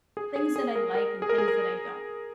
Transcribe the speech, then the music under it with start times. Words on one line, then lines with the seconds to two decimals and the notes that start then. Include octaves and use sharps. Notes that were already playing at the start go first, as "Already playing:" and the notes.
things that I like and things that I don't.
0.17 G#4
0.36 G#4
0.56 G#4
0.75 A#4
0.95 A#4
1.22 G#4
1.29 A#4
1.38 G#4
1.48 A#4